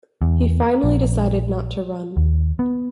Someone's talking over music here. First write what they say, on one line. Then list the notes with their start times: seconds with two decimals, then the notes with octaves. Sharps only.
He finally decided not to run.
0.22 E2
0.84 A#1
2.17 D#2
2.59 B3